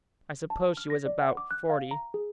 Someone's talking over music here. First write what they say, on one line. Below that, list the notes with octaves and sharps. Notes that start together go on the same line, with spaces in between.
I suppose she was about forty.
A5
F6
A#6
D5
F#5
D6
F#6
F5
A#5
G#4